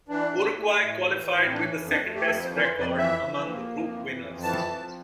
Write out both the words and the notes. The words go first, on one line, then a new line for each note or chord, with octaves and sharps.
Uruguay qualified with the second-best record among the group winners.
E3 D4
A2
A3
A2
E3
A2
C4
E3 D4
F2
D4
A3
G4
F2 A4
C5
E3
A#4
C5
F2
D5
E3 E5
F2
A#3
F2
E3
F2
E3 A5
F2